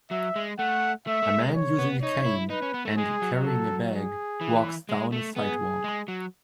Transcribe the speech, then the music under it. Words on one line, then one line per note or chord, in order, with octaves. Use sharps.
A man using a cane and carrying a bag walks down a sidewalk.
F#3 E5
G#3
A3 F#5
A3 E5
A3
G#3
C#5
B3
D#4 C#5
E4
D#4 B4
C#4
B3
A3
G#3 G#4
F#3
A4
G#4
E3
G#3
A3
B3 G#4
G#3
F#3